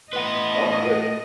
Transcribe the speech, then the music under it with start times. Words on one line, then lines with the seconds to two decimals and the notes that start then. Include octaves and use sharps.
Oh, my goodness.
0.13 A2 B4 D#5 F#5 C6